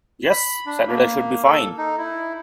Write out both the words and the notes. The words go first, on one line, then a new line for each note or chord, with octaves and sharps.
Yes, Saturday should be fine.
B5
D4
A#3
A4
D#4
E4